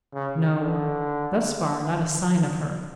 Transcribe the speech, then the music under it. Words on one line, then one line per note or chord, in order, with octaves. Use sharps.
No; thus far, not a sign of her.
C#3
D3